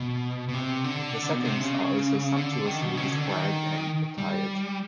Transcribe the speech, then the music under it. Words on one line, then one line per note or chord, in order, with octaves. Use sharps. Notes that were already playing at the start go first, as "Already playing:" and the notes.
The settings are also sumptuously described and attired.
Already playing: B2
B2
C3
D3
B2
C3
C#3
D3
D#3
B2
C#3
D3
D#3
G3